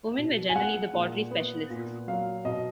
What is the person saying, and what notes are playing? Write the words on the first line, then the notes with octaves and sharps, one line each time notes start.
Women were generally the pottery specialists.
B2
G#5
G#3 F#5
A#2
B3
A#2
F#3 F5
B2 D#5